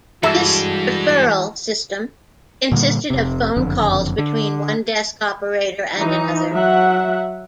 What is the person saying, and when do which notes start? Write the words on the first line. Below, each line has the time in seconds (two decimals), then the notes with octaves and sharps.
This "referral system" consisted of phone calls between one desk operator and another.
0.23 G2 E3 G#3 F#4 A4 E5
2.72 A#2 D3 G3 A#3
3.10 F1 C3
3.57 F#1 F2 D3
4.18 D3
5.97 E3 D#4
6.51 F#3 E5 F#5